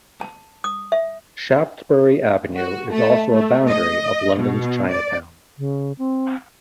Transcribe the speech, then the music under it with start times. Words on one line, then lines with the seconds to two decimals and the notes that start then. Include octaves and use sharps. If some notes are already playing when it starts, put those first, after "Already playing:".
Shaftesbury Avenue is also a boundary of London's Chinatown.
0.21 A5
0.64 D#6
0.92 E5
2.56 F#4
2.92 A3
3.33 A3
3.70 D#5
4.38 B2
4.90 D5
5.58 C#3
5.98 C4